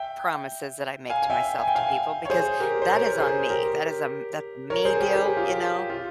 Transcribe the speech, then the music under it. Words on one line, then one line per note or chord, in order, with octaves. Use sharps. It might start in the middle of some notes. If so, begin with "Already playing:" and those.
promises that I make to myself to people because that is on me. That is a m that's a me deal. You know?
Already playing: E5 G5
F5 G#5
G#5
E5 G5
G#5
G5
F5 G#5
C#5
G#4 C5
G4 A#4
C5
A#4 C#5
A#4
G#4 C5
G4 A#4
A#4 C#5
G#4 C5
G4 A#4
G#4
G4
F4
G4
F4